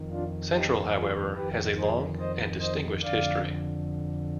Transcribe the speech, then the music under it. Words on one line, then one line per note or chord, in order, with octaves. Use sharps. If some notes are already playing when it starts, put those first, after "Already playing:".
Central, however, has a long and distinguished history.
Already playing: F2 D#3
D4 F4
D#4 G4
F4 G#4
F2 D#3 G4 B4
G#4 C5
C5 D#5
C5 D#5
F2 D3 D5 F5